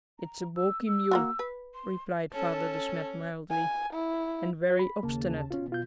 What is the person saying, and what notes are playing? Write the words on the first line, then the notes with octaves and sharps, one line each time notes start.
"It's a balky mule," replied Father De Smet mildly, "and very obstinate."
A#5
E6
E6
A#3 F4 F#4
B4
C6
C#4 A4 A5
G#5
E4
B5
D#2 C#3 A#3 A5
B2 C#4 F4
F4 G6